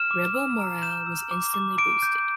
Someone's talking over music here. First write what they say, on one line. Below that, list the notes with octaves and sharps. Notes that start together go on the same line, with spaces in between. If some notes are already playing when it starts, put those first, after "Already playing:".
Rebel morale was instantly boosted.
Already playing: F6 E7
D6
E6
A#5
G6 E7
E6
D6
D6
D6 D7
G6